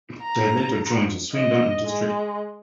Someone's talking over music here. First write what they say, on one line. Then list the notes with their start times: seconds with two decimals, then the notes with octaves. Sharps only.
They later joined the Swindon and District League.
0.22 A#5
1.33 D#5
1.87 G#3